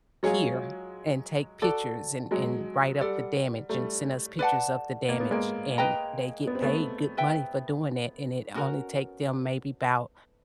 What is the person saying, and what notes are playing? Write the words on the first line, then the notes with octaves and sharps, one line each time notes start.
here and take pictures, and and write up the damage, and send us pictures of the damage." And they get paid good money for doing that, and it only take them maybe 'bout,
F#3 G#3 F4 G#4 C#5
F#4 A4 D5
F#3 G#3
G3 A4 D5 F#5
G3 A3
B4 D5 F#5 A5
A#3
B3
G#3 A#3
B4 D#5 G5 A#5
B3
C4
A3 B3
B4 E5 G5
C#4 F#4 A#4